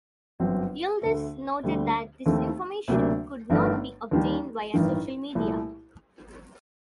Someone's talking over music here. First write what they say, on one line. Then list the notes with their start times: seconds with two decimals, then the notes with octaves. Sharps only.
Yildiz noted that this information could not be obtained via social media.
0.40 G1 F#2 F#3 C4
1.02 D2 D3 A3
1.63 D2 D3 G3
2.26 D#2 D#3 A3 C4
2.88 D2 C3 F#3 A#3 D4
3.50 G1 G2 D#3 A3 D4
4.11 D#2 D#3 G3
4.74 A1 G2 D#3
5.35 C2 A#2 A3